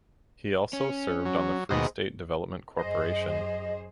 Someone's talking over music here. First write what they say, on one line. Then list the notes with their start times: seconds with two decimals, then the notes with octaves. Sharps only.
He also served on the Free State Development Corporation.
0.73 C#4
1.26 F#3
1.71 D#2 B2 G#4 C5 D#5
2.78 F#2 G#4 C5 D#5